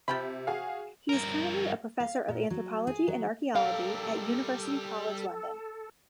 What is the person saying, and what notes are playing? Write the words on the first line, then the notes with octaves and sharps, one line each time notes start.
He is currently a Professor of Anthropology and Archaeology at University College London.
C3 F3 G5 B5
F#4 G#4 F5
G2 A#4
F5
A#2
F#3
G#4
F#3
G3 A4 A#4 F5